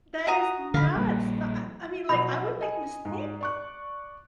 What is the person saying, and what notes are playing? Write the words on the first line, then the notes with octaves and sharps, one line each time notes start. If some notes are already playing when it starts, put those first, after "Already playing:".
That is nuts. No I I mean, like, I would make mistakes.
F#4 A#5 D#6
D3 F5 B5
A#1 G3 A#3
B2 F3 F#3 B5
D#5 G#5
G#2
D5 C#6 F#6